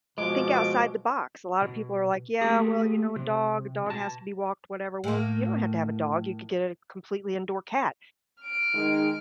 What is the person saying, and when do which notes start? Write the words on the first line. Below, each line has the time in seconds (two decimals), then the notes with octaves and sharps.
think outside the box, a lotta people are like, "Yeah, well you know, a dog, a dog has to be walked, whatever." Well you don't have to have a dog, you could get a completely indoor cat,
0.18 B2 F3 G#3 D6
1.62 B2
2.41 A3 A#3 G4 G#4
3.16 C3
3.86 B2 A5
5.04 A2 A#3
8.41 F6 D7
8.74 D#3 G#3 D#4